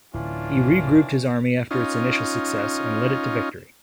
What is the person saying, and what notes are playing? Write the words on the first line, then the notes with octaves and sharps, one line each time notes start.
He regrouped his army after its initial success, and led it to victory.
D1 E3 C#4 D4 F4
C#4 D#4 F4